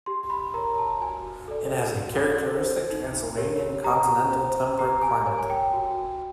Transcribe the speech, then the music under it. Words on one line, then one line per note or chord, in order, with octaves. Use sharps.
It has a characteristic Transylvanian continental temperate climate.
G4 C6
B5
A#4 C#5 A#5
A5
F#4 G#5
A4 D5
F#4
A4 C5
D#4
G4 A#4 C#5
G4 A#5
C5
G4 A#5
G#5
A#4 C#5 G#5
G#5
G5
F#4